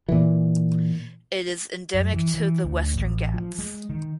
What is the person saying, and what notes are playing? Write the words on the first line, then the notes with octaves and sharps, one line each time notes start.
It is endemic to the Western Ghats.
A#2 E3
F#2
E3
E3
D2
A1
F3
G#3
D#3